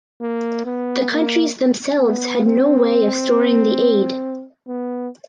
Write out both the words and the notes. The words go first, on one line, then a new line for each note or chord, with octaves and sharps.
The countries themselves had no way of storing the aid.
A#3
B3
A#3
B3
C4
B3